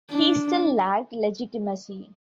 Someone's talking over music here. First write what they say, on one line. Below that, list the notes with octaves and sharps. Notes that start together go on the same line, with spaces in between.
He still lacked legitimacy.
D4